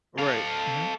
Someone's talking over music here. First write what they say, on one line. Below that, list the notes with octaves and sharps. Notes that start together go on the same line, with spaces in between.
Right, mhm.
A4 F5